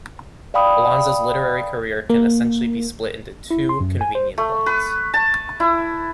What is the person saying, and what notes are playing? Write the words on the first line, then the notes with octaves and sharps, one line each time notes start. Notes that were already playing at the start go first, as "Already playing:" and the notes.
Alonso's literary career can essentially be split into two convenient blocks.
D5 F5 G5 B5 D#6
A#3
E4
C6
F#2
G#5
C5
A3
B4
A5
E4